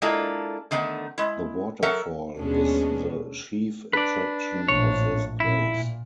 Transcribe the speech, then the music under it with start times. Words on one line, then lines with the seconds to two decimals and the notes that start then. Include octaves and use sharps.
The waterfall is the chief attraction of this place.
0.02 G#3 A#3 D4 E4 F4 A4
0.71 D3 D#3 A3 B3
1.18 G#3 E4
1.83 F#3 A4 A#4 E5 F#5
2.38 D#2 B2 G#3 B3 C#4 D4
3.93 D4 B4 D5
4.68 A#1 A2 C#5
5.40 A#2 E4